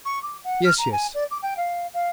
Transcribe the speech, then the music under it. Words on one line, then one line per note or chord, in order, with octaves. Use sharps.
Yes, yes.
C#6
D6
F#5
F6
A#5
G#5
D5
D6
G5
F5
F5